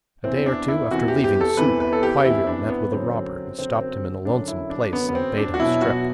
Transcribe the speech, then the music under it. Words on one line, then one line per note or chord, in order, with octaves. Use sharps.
A day or two after leaving Suwa, Kwairyo met with a robber, who stopped him in a lonesome place, and bade him strip.
E2 C3 E3 C4
D4
E4
E2 C3 E3 F#4
G4
G4
A4
E2 C3 E3 B4
B4
A4
G4
E2 C3 E3 E4
D4
B3
F#2 D3 F#3 C4
F#2 D3 F#3 C4
C4
F#2 D3 F#3 D4
E4
D4
F#2 D3 F#3 B3
B3
C4
D4
F#4
E2 B2 F#3 E4
F#4